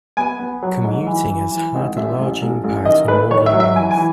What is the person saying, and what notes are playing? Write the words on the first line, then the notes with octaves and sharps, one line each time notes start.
Commuting has had a large impact on modern life.
B3 G#5
B3
F#3
G#2
E3
E3
E3
G#1
A1 E5
A1
A1
A1
D#3 D#5
A3 B4
D#3 C#5
E5
F#3
E5
E3 G#5
G#5
E3